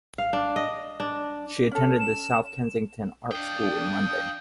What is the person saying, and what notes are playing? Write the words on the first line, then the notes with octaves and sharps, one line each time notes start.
She attended the South Kensington Art School in London.
F5
D4
D#5
D4
C#4 A4
E7
D4 F5 G5 D#6